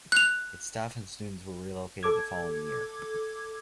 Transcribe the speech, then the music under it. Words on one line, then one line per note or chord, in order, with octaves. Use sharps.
Its staff and students were relocated the following year.
F#6 F7
A4 D6 G#6